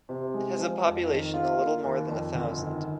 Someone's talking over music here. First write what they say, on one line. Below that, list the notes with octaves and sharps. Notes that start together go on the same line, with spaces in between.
It has a population a little more than a thousand.
C3
G#3
F3
F2
D#3
F4
A#3
D#2
F2
G1
D#3